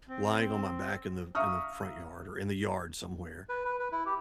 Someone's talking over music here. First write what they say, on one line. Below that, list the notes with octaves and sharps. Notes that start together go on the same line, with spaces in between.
lying on my back in the in the front yard or in the yard somewhere
C4
E5 F5 A#5 C#6 D#6 F6
B4
B4
B4
E4
G4